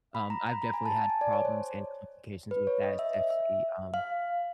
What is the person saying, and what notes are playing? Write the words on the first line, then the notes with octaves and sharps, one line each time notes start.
um, I've definitely had problems and complications with that, it's definitely, um,
B5
A#5
B5
A#5
G#5
A5
A5
G#5
D5
C#5
C5
B4
C#5
D#5
E5
E5
E5
F5